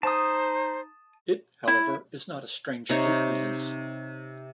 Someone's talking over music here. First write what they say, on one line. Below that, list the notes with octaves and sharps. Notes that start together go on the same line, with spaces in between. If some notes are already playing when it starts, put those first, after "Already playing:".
It however is not a Strange Fruit release.
D#4 C5 A5 D#6
E4
C3 D#4 C#5